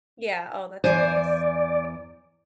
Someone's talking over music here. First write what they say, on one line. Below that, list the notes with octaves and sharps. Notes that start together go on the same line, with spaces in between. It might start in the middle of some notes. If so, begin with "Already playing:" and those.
Yeah. Oh, that's nice.
E2 C5 D5 G#5